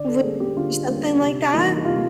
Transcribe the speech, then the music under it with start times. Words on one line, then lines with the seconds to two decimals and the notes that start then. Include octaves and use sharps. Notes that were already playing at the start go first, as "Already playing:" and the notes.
Would you do something like that? Mm.
Already playing: D3 D5
0.08 A4
0.23 G3 A#3 C#4 G#4
0.40 G4
0.56 D3 F4
0.88 G3 A#3 C#4
1.21 C3
1.54 E3 G3 A#3 D#4
1.85 C3 F4